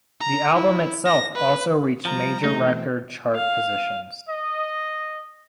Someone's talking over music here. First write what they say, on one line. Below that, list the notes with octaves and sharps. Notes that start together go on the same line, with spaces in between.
The album itself also reached major record chart positions.
A#5
E4
A#6
B4
F3 G3 A#5
B2 E3 A3 C4 D#4
F5
D#5